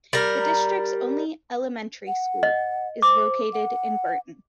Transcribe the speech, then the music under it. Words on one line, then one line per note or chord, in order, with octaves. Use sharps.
The district's only elementary school is located in Burton.
G3 A#4
F#5
D#5
C5 D6
F#5